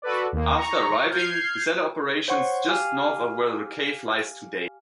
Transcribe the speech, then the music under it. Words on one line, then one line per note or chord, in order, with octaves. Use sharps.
After arriving, he set up operations just north of where the cave lies today.
F#4 A4 B4 D5
D#2 A#3
A#5 C#6
F6 G6 G#6 C7
C5 C#5 F#5 C6 C#6
G4 F5 G#5 F6